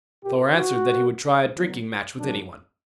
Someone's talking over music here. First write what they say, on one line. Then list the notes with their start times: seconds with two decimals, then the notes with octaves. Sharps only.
Thor answered that he would try a drinking-match with any one.
0.23 A#2 A#3 G4
0.56 F#4
0.88 A#2 G3 A#3
1.53 D2 D3 F#3 B3
2.18 F#2 D3 F#3 A#3 D4